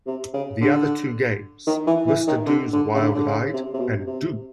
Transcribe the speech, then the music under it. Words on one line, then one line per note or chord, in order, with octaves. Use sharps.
The other two games, Mr. Do's Wild Ride and Do!
C3
C#3
D3
D#3
E3
E3
D#3
D3
D3
C#3
D3
D3
C#3
C3
C3
B2
C3